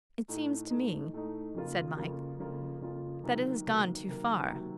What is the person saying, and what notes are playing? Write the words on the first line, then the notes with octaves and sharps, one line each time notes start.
'It seems to me,' said Mike, 'that it has gone too far.
A2 A3 D#4
A2 A3 D#4
A2 A3 D#4
F2 C#3 F3 A#3 F4
F2 C#3 F3 A#3 F4
F2 C#3 F3 A#3 F4
F2 C#3 F3 A#3 F4
C3 D#3 F#3 A#3
C3 D#3 F#3 A#3
C3 D#3 F#3 A#3
C3 D#3 F#3 A#3